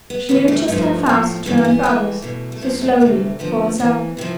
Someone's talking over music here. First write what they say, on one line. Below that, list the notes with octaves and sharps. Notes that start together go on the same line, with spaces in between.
She knew just how fast to turn for others; so slowly for herself.
B3
D2 C3 E3 B3
A3
G2 F3 A3
A2 F3
G2 E3 A3
A3
B3
A2 E3 A3
E2 B2
A3
F2 C3 F3 B3
A3
D2 C3 E3
F2 D3 F3 B3
F2 E3
C3 F3 E4